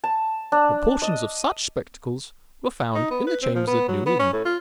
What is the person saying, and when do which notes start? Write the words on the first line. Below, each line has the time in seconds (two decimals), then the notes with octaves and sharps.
But portions of such spectacles were found in the chambers at New Inn.
0.04 A5
0.52 D4
1.02 D#5
2.95 D#4
3.11 B3
3.27 B4
3.42 C4
3.55 F3
3.67 B3
3.88 F#3
4.06 B3
4.19 C#4
4.33 A2
4.45 F4